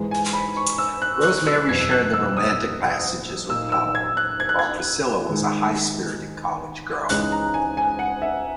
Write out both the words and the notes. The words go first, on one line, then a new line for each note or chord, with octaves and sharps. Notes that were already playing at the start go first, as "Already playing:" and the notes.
Rosemary shared the romantic passages with Powell, while Priscilla was a high-spirited college girl.
Already playing: G#2 E3 G#3
G#5
B5
C#6
E6
F#6
F#6
E6
F#1 E2 B2 G#6
F#6
E6
D#6
A#2 A#3 D#4 E6
E6
G#6
F#6
G#6
F#6
G#6
G#2 D#3 G#3
C#2 C#3 E3 G#3 D#4 F#6
A#5
G#5
G#5
F#5
E5